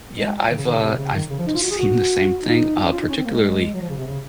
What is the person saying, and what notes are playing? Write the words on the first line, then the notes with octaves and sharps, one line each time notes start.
Yeah, I've, uh I've seen the same thing, uh, particularly
G#3
D#3
C#3
D#3
C#3
C3
C#3
D#3
C#3
F3
D#4
F4
F#4
G#4
F#4
D#4
D#4
C#4
F4
D#4
C#4
C4
A#3
G#3
F#3
F3
C#3
C3
C#3